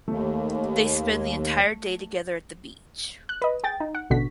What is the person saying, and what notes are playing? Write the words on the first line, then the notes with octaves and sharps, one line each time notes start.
They spend the entire day together at the beach.
D#2 A3
F#6
B4 D#5
G#4 G5 A6
D#4
F#5
A1 B2 D3 F#4 B6